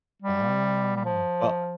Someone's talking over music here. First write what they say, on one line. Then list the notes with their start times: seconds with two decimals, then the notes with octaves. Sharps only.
Oh, well
0.22 G3
0.96 G3
1.05 F3